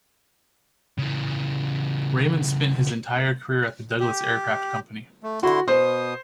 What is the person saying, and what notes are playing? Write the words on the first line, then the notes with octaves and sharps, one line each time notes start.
Raymond spent his entire career at the Douglas Aircraft Company.
C#3 E3
G4
A3
D3 E4 F#4 C6
B2 C5 D#6